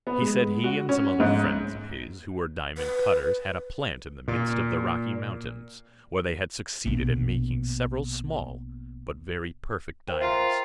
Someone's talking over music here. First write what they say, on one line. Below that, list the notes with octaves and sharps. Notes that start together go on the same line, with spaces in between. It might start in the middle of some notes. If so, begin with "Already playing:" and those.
He said he and some other friends of his, who were diamond cutters, had a plant in the midst of the Rocky Mountains, where they had succeeded in making several small, but very perfect diamonds.
B3
G#3
F#4
C#4
G#2
B4
A#2
A#1 B2
A#4 C5 G5
F4 E5 A#5